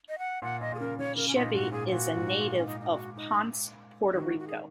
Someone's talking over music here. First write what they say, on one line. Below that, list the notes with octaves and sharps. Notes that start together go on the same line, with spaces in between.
"Chevy" is a "native" of Ponce, Puerto Rico.
D#5
F#5
A#2 F#5
A#2 D#5
A#2 G#4
C#3 A#4
C#3 C#5
C#3 A#4
C#4
A#2 D#4
G#2 F#4
A#2 G#4
G#4
A#2 F#4
G#2
A#2
C#4
D#4
D#4
F#4
D#4
D#3 F#4
F#4
G#4